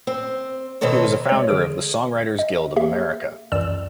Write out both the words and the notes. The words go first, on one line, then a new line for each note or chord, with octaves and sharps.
He was a founder of the Songwriters Guild of America.
C4
B2 D#3 C4 A4 C#5
G#3 C#5
D3 G#4 D7
D#5
A#3 G4 G#4 E5
C#2 F#2 E3 D5 E6 E7